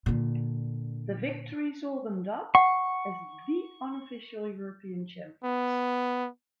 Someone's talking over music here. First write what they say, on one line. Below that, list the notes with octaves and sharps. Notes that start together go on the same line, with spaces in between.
The victory saw them dubbed as the unofficial European Champions.
A#2 D3
F#5 C#6
B3